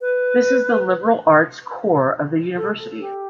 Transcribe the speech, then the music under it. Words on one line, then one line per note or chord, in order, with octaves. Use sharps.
This is the liberal arts core of the university.
B4
A4
G4